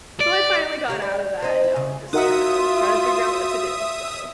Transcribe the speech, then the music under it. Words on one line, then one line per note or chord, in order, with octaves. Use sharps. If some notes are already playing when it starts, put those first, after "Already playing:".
So I finally got out of that, and now I'm just kinda trying to figure out what to do. So
D5
D2 G4 C#5
D5
C4 D#4
E4
C#3
D#4 F4 F#4 A#4 E5 F#5 D#6